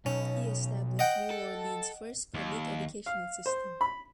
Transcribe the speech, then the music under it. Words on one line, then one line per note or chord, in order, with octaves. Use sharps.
He established New Orleans' first public educational system.
B1 C#4
D#5 F#5 G5
A4
D#2
F5
C5
B5